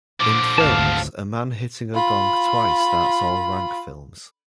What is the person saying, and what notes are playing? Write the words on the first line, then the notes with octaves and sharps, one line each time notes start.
In films, a man hitting a gong twice starts all Rank films.
A#2 D3 F3 D6
G#1 D2 F5 A5
F4 B5